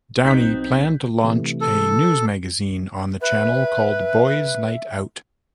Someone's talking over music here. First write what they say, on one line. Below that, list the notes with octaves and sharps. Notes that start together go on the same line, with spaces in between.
Downey planned to launch a news magazine on the Channel called Boyz Night Out.
B1 C4 D#4 F#6 G6 B6
C3 E3 A3
A4
B4 E5